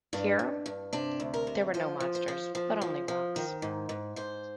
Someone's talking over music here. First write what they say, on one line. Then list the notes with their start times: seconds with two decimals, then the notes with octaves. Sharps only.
Here, there were no monsters but only rocks.
0.13 G2 D4
0.39 G2
0.66 G2
0.93 C3 D4
1.20 D2
1.34 A#4
1.47 C3
1.74 F3 C5
2.00 F3
2.15 C5
2.28 F3
2.55 F3
2.82 F3
3.08 F3
3.36 D#3
3.62 G#2
3.89 G#2
4.16 G#2 C5